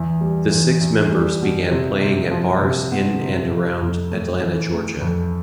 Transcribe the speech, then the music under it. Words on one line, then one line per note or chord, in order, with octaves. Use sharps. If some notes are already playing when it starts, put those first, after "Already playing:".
The six members began playing at bars in and around Atlanta, Georgia.
Already playing: E2
G3
E2
E2
G3
B2
C3
C3
F3
C3
B3
C3
F2
F2
A3
E3
A3
F2